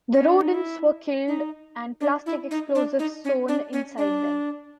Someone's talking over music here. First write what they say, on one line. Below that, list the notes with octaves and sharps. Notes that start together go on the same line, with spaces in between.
The rodents were killed and plastic explosives sewn inside them.
C#4
D4
D#4
E4
D#4
D4
E4
D#4
D4
D#4
C#4
D4
C#4
D4